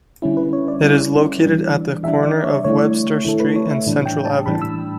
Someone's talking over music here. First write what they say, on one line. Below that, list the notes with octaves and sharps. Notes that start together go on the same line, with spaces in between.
It is located at the corner of Webster Street and Central Avenue.
D3 G3 C#4 E4
B4
C#5
D5
D3 G3 C#4 E4
E3 G3 D4
E3 G3 D4 E5
D5
C#5
D3 A3 E4 C#5
D3 A3 E4 A4
B4
C#5
E5
A2 E3 G3 D4
G5
G5
A5
A2 E3 G3 D4 B5
E6